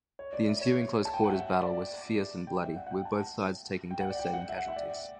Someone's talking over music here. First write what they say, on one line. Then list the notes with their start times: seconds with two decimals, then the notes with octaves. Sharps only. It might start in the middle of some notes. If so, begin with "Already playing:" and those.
The ensuing close-quarters battle was fierce and bloody, with both sides taking devastating casualties.
0.19 C#5
0.33 D5
0.48 E5
0.61 C#5
1.05 A5
1.14 G5
1.24 F#5
1.33 E5
1.62 D5
2.47 G5
2.62 E5
2.76 F#5
2.87 F#5
2.91 G5
3.05 A5
3.91 G5
4.00 F#5
4.10 D5
4.19 G5
4.34 F#5
4.49 E5
4.58 F#5
4.67 E5
4.76 D5